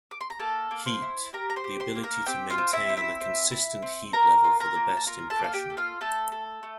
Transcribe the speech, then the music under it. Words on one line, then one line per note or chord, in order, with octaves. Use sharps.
Heat: the ability to maintain a consistent heat level for the best impression.
D6
C6
A#5
A#3 A4 A5
A#3
C5 C6
E4
G4 A#4 A#5
A#5
C5 C6
G4
C5 C6
A#3
A#4 A#5
C4 G4 G5
F4 F5
C4
E4 E5
C4
E4 E5
C4
E4
C4
A#3 A#4 A#5
F4
A#4 A#5
A#3
A5
F4 A#4 A#5
A4 A5
A#3
F5
G4 G5
A4
F4 F5
A3 A4 A5
A4
A3